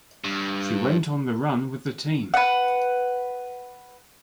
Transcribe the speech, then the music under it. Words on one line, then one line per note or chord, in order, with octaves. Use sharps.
She went on the run with the team.
G2
B4 F#5